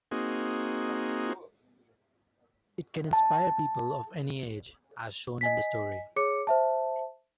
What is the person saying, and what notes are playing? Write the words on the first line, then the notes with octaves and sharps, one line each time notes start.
It can inspire people of any age, as shown in the story.
A#3 C4 D#4 F#4 G#4
A5
D#5 G#5 B6
G#4 C#5 D6 C#7
C5 E5 A5